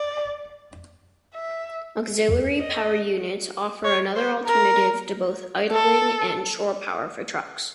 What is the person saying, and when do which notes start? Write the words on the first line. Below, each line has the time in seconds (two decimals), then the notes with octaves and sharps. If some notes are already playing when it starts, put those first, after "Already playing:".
Auxiliary power units offer another alternative to both idling and shore power for trucks.
Already playing: D5
1.35 E5
2.60 D#5
3.84 C#5
4.16 C5
4.47 A#4
5.71 A4